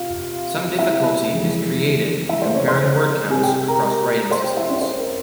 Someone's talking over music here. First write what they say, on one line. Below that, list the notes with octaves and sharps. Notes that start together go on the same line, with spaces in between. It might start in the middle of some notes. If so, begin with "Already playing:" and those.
Some difficulty is created when comparing word counts across writing systems.
Already playing: C3 F4 F5
E4 E5
F2 C#3 E3 G#3
E4 E5
C5
C#4 C#5
C5 C6
C3 G3 C4 G#4 G#5
G4 G5
A#4 A#5
A#4 A#5
C5 C6
G4 G5
E4 E5
C#4 C#5
C5
A#4